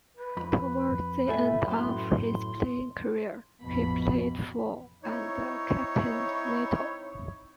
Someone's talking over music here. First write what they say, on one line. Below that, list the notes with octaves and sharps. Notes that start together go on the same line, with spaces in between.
Toward the end of his playing career, he played for and captained Natal.
B4
F2 B5
A2 A4 E5 G#5
F#2 A2 C6
A1 F2 B2 B5
C4 D#4 E4 C#5